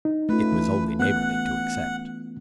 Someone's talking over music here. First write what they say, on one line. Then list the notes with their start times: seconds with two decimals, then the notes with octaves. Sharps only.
It was only neighbourly to accept.
0.05 D#4
0.29 A3 C#4 F4 B4
0.52 E3
0.99 B3 F#5 F#6